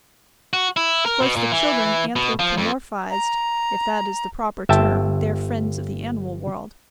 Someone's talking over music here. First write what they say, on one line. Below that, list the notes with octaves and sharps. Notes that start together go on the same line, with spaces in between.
Of course the children anthropomorphized--if that is the proper term--their friends of the animal world.
F#4
E4
A#4
B2
A#2
E3
B2
F3
F2
A#5
G1 E5 G5 A5